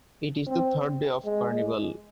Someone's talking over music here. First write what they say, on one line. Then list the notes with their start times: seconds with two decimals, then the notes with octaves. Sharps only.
It is the third day of Carnival.
0.47 C4
1.25 G#3